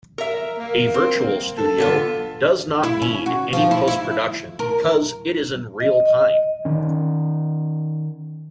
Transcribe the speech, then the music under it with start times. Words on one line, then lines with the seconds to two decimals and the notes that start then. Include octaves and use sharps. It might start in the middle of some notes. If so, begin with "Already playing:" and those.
A virtual studio does not need any post production because it is in real-time.
0.18 A#4 E5
0.58 A#3
0.94 C4
1.58 A4
1.78 D3 B3 F4
2.83 E4
3.02 C#4
3.26 F#4
3.53 F3
3.71 E4
3.88 E4
4.59 A#4
5.80 D#5
6.65 D#3 C#4